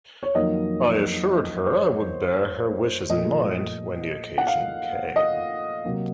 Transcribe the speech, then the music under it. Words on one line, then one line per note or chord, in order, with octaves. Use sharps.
I assured her I would bear her wishes in mind when the occasion came.
C#5
F2 D#3 F#3 A#3 D#5
C5
C#5
A#2 F3 A3 D#5
F#5
F5
D#5
C3 F#3 A#3